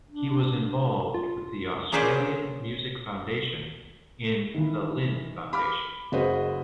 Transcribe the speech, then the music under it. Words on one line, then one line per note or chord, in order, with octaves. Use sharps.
He was involved with the Australian Music Foundation and The Lynn Foundation.
D4
F4
A#3 C#4 G#4 B4 C5 D5
D#3 E3
B5 D6 F6
F#1 F#4 G#4 B4 C5 D#5